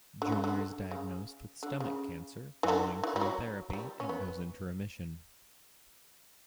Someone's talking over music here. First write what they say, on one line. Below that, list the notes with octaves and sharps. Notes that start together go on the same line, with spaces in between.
Junior is diagnosed with stomach cancer; following chemotherapy, it goes into remission.
D3
C#3
D3
C#3
D3
C#3
E3
D3
E3
G3
F#3
F#3
G3
C#4
B3